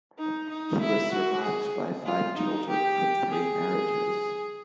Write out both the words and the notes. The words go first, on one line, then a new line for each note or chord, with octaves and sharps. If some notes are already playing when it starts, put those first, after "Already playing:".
He was survived by five children from three marriages.
D#4
D#4
E4
F#4
G#4
F4
D#4
G4
G#4